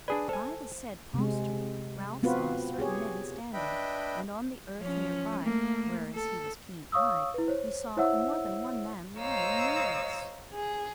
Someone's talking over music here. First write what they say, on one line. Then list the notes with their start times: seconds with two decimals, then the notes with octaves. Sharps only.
By the said postern Ralph saw certain men standing; and on the earth near by, whereas he was keen-eyed, he saw more than one man lying moveless.
0.08 D4 G#4 B4 D5
0.29 A4 C5 G#5
1.14 C3 G#3
2.23 B3 C4 F4 F#4 B4
2.79 G4 G#4 C#5
3.53 D4 B4 D#5 E5 G5 B5
4.80 F3 C#4
5.42 A3 A#3
6.15 A4
6.92 C#5 F5 C#6 D#6 E6
7.34 E4 B4
7.48 C5 C#5
7.97 E4 C5 C#5 E5 F#5 E6
9.20 C5 C#5 D#5 F5 A#5 E6
10.53 G#4